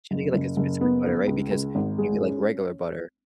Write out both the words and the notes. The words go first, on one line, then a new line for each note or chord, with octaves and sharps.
she had to get, like, a specific butter, right, because when you get, like, regular butter,
F#1
F#1
F#1
B3
B3
C#2
C#2
G#1
G#3
C#4